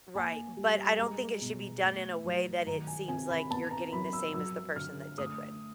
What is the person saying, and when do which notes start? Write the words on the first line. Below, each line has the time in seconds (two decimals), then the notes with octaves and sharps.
Right, but I don't think it should be done in a way that it seems like you're getting the same as the person that did win.
0.15 A#3 G#5
0.57 G3
0.99 G#3 A#5
1.41 B2
1.83 A3
2.24 F#3
2.66 D#3 A#5
2.87 G#5
3.08 C3 G#5
3.29 B5
3.50 B3 A5
3.71 A#5
3.92 F#3 B5
4.13 E6
4.34 F#3 E6
4.76 D3 F6
5.18 A3 D#6